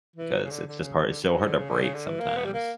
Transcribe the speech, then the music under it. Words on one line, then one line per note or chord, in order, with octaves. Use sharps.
because it's just hard it's so hard to break sometimes.
E3
F#3
C#3
D3
D3
C#3
D3
F#3
D3
C#3
D3
C#3
D3
E3
A#3
B3
G3
A#3